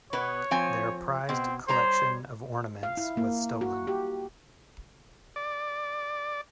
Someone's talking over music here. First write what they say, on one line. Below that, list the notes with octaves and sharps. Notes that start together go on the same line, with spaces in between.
Their prized collection of ornaments was stolen.
B2 B3 B4 C#5
F3 C4 G#5
B2 C4
G3 C5 C#5 A#5
F5
E4
A#3
F#4
G4
D5